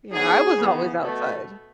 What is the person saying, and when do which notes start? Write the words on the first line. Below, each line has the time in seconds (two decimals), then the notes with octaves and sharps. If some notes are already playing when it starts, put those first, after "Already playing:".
Yeah, I was always outside.
0.12 G#2 F#3 B3 G#4
0.56 C#3 E3 B3
1.01 B2 A3